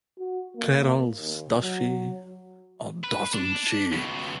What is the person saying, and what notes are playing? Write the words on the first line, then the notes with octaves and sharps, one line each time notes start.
Clairol's Does she...or doesn't she?
F#4
A#3
D#2
F#3
B4
D4
C#2 B2